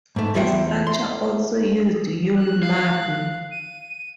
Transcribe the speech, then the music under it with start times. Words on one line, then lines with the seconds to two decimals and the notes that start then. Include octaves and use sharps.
The structure also used Yule marble.
0.16 G#2 A3
0.35 E2 F4 E5 F#5 G5
0.87 C6
2.35 F#6
2.63 F5
3.51 D#7